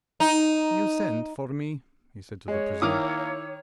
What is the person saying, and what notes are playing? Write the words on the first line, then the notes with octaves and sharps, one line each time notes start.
"You sent for me?" he said to the prisoner.
D#4
G#3 C#5
D#3 A#3 E4 D6 D#6 F6 F7